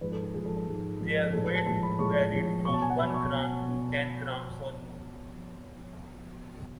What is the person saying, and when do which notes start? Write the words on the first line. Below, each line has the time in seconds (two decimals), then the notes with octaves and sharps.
Their weight varied, from one gram to ten grams or more.
0.01 G#2 F3 G#3 B4
0.12 A4
0.23 A4
0.34 G#2 F3 G#3 G#4
0.45 A4
0.56 A4
0.67 G#2 F3 G#3
1.00 G#2 F3 G#3
1.33 A2 F3 G#3 A4
1.44 B4
1.55 A5
1.66 A2 F3 G#3 A5
1.83 B5
1.99 A2 F3 G#3 C#6
2.32 A2 F3 G#3
2.65 B2 F#3 C#6
2.74 A5
2.82 G#5
2.90 F#5
2.98 B2 F#3 B5
3.14 C#6
3.32 B2 F#3
3.65 B2 F#3